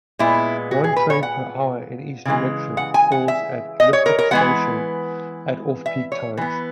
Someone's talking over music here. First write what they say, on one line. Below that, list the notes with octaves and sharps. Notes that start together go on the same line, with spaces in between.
One train per hour in each direction calls at Liphook station at off-peak times.
A#2 G#3 B3 E4
F#4
G#4
B4
C#5
F#5
C#3 E3 G#3
F#5
G#5
F#5
E5
D#5
C#5
A#4
A#4
E3 G#3 B3 F#5
E5
C#5
E3 B3